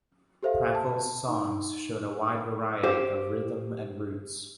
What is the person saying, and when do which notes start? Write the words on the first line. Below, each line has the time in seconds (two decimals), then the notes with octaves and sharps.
Praful's songs show a wide variety of rhythm and roots.
0.43 G4 A4 C5 E5 F5
0.75 A5
1.28 D#4
2.83 G4 C5 F5